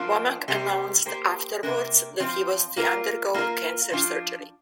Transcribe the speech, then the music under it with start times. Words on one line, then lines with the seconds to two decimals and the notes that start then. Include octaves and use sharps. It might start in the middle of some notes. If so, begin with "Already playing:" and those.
Womack announced afterwards that he was to undergo cancer surgery.
Already playing: F3 A#3 D4 F4
0.48 C3 G3 A#3 G4 C5
1.05 A#3 G4 C5
1.63 C3 A#3 D4 A#4
2.20 F3 C4 F4
2.77 A#3 F4 A#4
3.34 A#3 F4 A#4
3.92 F3 D4 F4